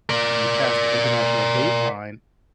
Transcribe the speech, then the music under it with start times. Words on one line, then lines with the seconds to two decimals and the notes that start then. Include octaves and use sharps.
you passed the international dateline,
0.09 A#4 D5